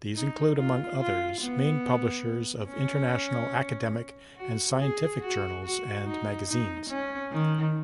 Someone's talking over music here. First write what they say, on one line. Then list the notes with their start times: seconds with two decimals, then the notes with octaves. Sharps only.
These include, among others, main publishers of international academic and scientific journals and magazines.
0.15 D#4
0.57 F4
0.99 F4
1.41 B3
2.68 C#4
4.37 F#4
4.79 G#4
5.21 F#4
5.63 F#4
6.06 D#4
6.47 D#4
6.89 C#4
7.32 D#3